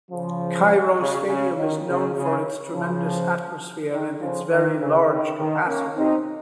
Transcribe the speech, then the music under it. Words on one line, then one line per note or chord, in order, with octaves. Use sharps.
Cairo Stadium is known for its tremendous atmosphere and its very large capacity.
C#3 F3
C#3
C#3
D#3
C#3
C#3
C#3 F3
D#3
C#3 F3
D#3
C#3
D#3
D#3
A#3 C#4
C4 D#4